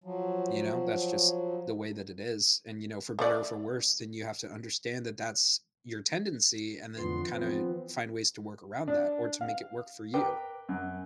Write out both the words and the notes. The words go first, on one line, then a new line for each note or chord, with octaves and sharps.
You know, that's just the way that it is. And, you know, for better or for worse, then you have to understand that that's your tendency and then kinda find ways to work around that or to make it work for you
F3 F#3
A3 E4 D5
F2 D3 E3 F3 B3 C6
E3 F3 B3 C4
D4
F5
A#4 B4 G5 D6
F#2